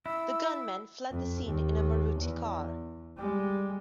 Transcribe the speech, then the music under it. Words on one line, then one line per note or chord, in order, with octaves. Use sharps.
The gunmen fled the scene in a Maruti car.
E4 E6
F2
D#2
E2
G3 G#3